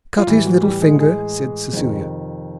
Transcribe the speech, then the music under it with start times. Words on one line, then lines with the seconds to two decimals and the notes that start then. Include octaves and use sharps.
"Cut his little finger," said Cecilia.
0.18 F4
0.27 A2 E3 G3 E4
0.45 F#3 F#4
0.63 G3 G4
0.82 G#3 G#4
1.00 G#3 G#4
1.73 F2 C3 D#3